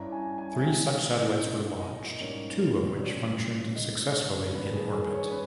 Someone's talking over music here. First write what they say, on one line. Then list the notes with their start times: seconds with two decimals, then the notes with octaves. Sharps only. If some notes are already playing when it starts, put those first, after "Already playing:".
Three such satellites were launched, two of which functioned successfully in orbit.
Already playing: G2 G3 C#4 E4 A#5
0.12 G#5
0.38 G#5
0.54 E5
0.64 C#3 G#3 D#4 G5
1.41 B2 A#3 C#4 E4 D#5
1.80 D#5
2.20 G#2 G3 A#3 C#4
2.97 B2 G3 C#4
3.75 C#2 B2 G#3 D#4 D#5
4.14 C#5
4.52 G2 D#3 G3 A#3 B4
4.72 G#4
4.92 G#4
5.11 C#5
5.31 C#4 B4